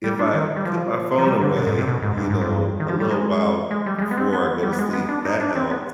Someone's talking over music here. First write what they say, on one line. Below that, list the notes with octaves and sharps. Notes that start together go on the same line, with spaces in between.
if I put my phone away, you know, a little while before I go to sleep, that helps.
G3
D4
D#3
G3
F3
F3
G3
D3
B2
G#2
C3
B2
G#2
G2
G#2
G2
D#3
F3
G3
G#3
G#3
G3
G3
G#3
B3
C4
B3
G3
B3
G#3
B3
D4
D#4
D4
C4
B3